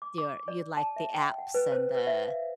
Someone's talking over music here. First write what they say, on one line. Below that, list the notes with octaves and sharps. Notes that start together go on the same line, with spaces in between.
your you like the apps, and the
D6
D6
D5
A5
E5
G5
F#5
B4
C5
B4
E5
F5